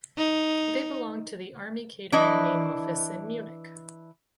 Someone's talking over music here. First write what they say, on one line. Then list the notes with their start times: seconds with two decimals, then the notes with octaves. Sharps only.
They belonged to the Army Catering Main Office in Munich.
0.17 D#4
2.12 E3 D4 E4 D#5